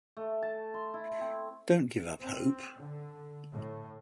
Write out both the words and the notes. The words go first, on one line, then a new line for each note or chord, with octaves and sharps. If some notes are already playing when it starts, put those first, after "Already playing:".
Don’t give up hope.
A3
A5
C6
E4
C4
C4
D3
A2